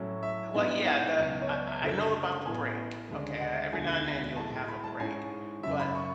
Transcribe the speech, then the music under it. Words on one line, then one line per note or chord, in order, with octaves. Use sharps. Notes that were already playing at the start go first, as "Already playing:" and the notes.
Well, yeah, the I I I know about the break, okay? Uh, every now and then, you'll have a break. But
Already playing: A2 F#3 C#4 E4
E5
G#2 E3 B3 D4
F#5
C#2 B2 F#3
C#5
D5
E5
F#1 F#2 D3 A3 E5
A1 A2 E3 B3 G#5
D2 C#3 G#3 D4
F#5
E1 D2 D3 G#3 G#5
B1 A2 G#3 A5
B5
A5
G#2 G#3 C#4 E4 G#5
F#2 C#3 F#3 E5
B5
C#6